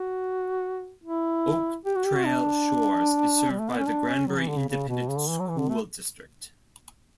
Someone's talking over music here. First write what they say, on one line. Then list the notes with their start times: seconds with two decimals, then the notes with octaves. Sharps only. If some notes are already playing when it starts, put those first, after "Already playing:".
Oak Trail Shores is served by the Granbury Independent School District.
Already playing: F#4
1.04 E4
1.85 G4
1.95 F#4
2.04 G4
2.15 F#4
2.26 D4
3.51 G3
3.59 A3
3.69 B3
3.78 C#4
3.87 D4
4.08 C#4
4.27 F#3
4.38 E3
4.48 D3
4.58 C#3
4.68 C#3
4.88 B2
5.08 C#3
5.18 D3
5.29 E3
5.39 F#3
5.49 E3
5.59 D3
5.69 A3